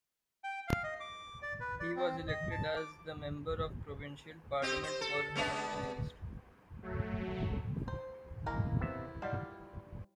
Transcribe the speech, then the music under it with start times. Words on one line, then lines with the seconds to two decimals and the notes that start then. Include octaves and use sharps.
He was elected as the Member of Provincial Parliament for Hamilton East.
0.44 G5
0.68 F5
0.84 D#5
1.00 D6
1.42 D5
1.60 B4
1.80 D5
1.96 C4
2.28 D#5
2.51 A5
2.76 D6
4.62 C4 G4 D#5
4.83 C5
5.01 A4
5.35 G#3 B3 D4
6.82 F#3 A3
7.88 C5
8.46 G#3 A#3 E4 A#4
8.81 C3 B3 E5
9.22 G3 F4 D5 D#5 F#5